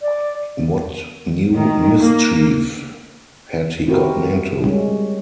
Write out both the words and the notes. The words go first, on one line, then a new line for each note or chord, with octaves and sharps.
What new mischief had he gotten into?
D5
D#3
A#3
C4 E4 F#4 G4 A#4
G3 G#3 C#4